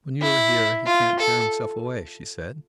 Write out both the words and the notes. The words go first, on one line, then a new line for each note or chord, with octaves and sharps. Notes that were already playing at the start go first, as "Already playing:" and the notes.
"When you are here he can't tear himself away," she said.
E4
F4
A4